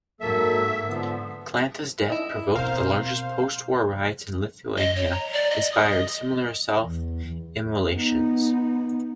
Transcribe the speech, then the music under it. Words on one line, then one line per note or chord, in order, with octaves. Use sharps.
Kalanta's death provoked the largest post-war riots in Lithuania and inspired similar self-immolations.
G#2 F#3 A#3 A4 E5
D3 F3 B3
E4 D#5
B2 C4 A#4 C5 F5
D#5
C#5
A#5
D5
D#5
D#6
D#5
E2
B3 D#4